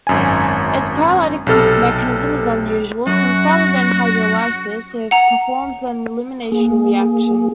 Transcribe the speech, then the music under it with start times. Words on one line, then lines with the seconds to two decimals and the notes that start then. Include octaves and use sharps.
Its proteolytic mechanism is unusual since, rather than hydrolysis, it performs an elimination reaction.
0.07 G#1 F#2 G#5
1.47 B1 C3 A4 F6
3.07 F#2 F#4
5.11 F#5 A#5 F7
6.52 A#3 G#4